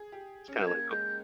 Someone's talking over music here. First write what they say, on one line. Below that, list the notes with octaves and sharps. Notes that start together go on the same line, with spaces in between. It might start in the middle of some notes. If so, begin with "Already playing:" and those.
it's kind of like oh
Already playing: G#4
G4
C#4
G6
A#3 G#6
G#3 G6